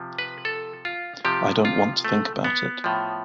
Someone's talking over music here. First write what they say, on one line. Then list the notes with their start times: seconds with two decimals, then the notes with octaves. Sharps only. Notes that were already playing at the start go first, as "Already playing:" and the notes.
I don't want to think about it.
Already playing: C3 F3
0.18 B4
0.45 A4
0.85 F4
1.25 C3 F3 G4
1.65 F4
2.05 A3
2.44 B3
2.84 A2 F3